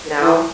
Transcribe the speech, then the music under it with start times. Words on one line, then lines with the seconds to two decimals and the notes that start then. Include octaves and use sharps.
you know?
0.20 E3